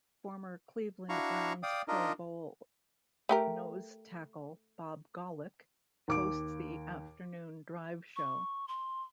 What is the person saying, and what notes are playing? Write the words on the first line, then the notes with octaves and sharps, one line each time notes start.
Former Cleveland Browns Pro Bowl nose tackle Bob Golic hosts the afternoon drive show.
D4 E4 F#4 F5 A#5 C#6
D5 F5 G5 D#6
D4 D#4 F4 A#4 D#5
A3 G4 A#4
D#2 D6 D7
C#6
C6